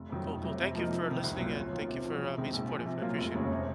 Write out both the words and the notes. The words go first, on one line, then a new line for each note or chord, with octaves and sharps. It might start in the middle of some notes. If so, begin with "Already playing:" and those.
Cool, cool, thank you for listening, and thank you for, uh, being supportive, I appreciate it.
Already playing: F1
F2 D#3 F#3
F1
F2 C3 F#3
C3
F3 A#3 D#4
F2
C3 D#3
C2
A#2 F#3 A#3 F4
D#2
D#3 A#3 F4
C3
F3 C4 F#4
F2
C3 D#3 G#3
A#1
A#2 F3
C3
F#3 A#3 F4
F1
D#2 C#3 G#3 C#4
C3